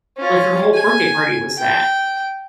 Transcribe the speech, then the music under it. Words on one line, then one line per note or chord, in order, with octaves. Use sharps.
like, her whole birthday party was that.
C#4 F4
G#5
G5